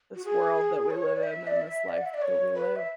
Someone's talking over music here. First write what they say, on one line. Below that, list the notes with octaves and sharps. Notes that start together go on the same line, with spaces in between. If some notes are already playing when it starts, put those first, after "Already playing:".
this world that we live in, and this life that we live.
F#4
G#4
C#5
D5
E5
D5
E5
D5
F#5
E5
D5
C#5
B4
E5